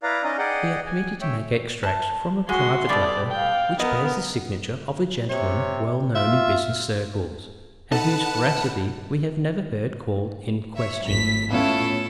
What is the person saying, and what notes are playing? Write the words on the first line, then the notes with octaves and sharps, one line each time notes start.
We are permitted to make extracts from a private letter which bears the signature of a gentleman well known in business circles, and whose veracity we have never heard called in question.
E4 B4 D5 F5 A#5
C#4 D#4 D5 D#5 A#5
G#4 D5 D#5 F#5 G5
G#5
C#5 E5 G5
A5
G#3 F#4 C6
B2 G3 A3 D5
F5 G5
B3 A#4 D#5
C3 C#5
F4 E5
D#4 A4 B4 F#5 A5
C#5 E5
G#1 A2 B6
A2 B3 C#4 E4 F4 A4 C#5